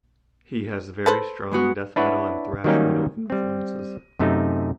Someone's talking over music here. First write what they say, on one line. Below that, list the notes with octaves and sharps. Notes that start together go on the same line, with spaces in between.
He has very strong death metal and thrash metal influences.
A4 B4 C5
G#3 B3 F#4
D4 E4 B4 C#5 E5 F#5
D#3 F#3 G3 A#3 C#4 D#4
G3 C4
F#2 C3 A3 D#4